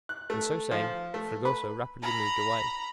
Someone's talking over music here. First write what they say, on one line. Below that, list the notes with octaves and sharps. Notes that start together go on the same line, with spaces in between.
And so saying Fragoso rapidly moved away.
F#6
A3
F3
A3
B4
A#5 B5